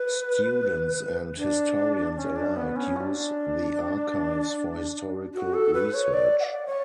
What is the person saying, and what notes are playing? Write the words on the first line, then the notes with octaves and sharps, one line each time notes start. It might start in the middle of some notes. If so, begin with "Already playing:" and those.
Students and historians alike use the Archives for historical research.
Already playing: B4
D4
C#4
D4
B3
C#4
F#4
D4
F#4
A4
B4
C#5
D5
F#5
D5
C#5